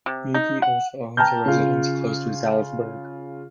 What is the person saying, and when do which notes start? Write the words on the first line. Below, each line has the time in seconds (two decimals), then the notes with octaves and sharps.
Muti also owns a residence close to Salzburg.
0.06 C3
0.34 D#4
0.62 F#5
1.17 G5 A5 A#5 F6 G6
1.46 C#3 F4